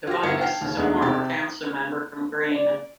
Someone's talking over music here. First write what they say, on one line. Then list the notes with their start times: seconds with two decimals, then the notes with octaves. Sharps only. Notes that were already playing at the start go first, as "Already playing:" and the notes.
Devitis is a former Council member from Green.
0.07 F4 G4 A#6
0.23 G1 G3 E4 A#4 G#6 C#7
0.40 F5 G5 A5 F6 C7
0.61 D#2 C#3
0.77 E2 G#2 G#3 A3 B3 D4
1.02 C3 C4 G4 A5 A6
2.52 D5